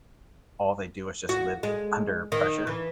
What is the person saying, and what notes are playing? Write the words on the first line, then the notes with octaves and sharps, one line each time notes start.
all they do is just live under pressure?
F#4
G#3
D#3
E3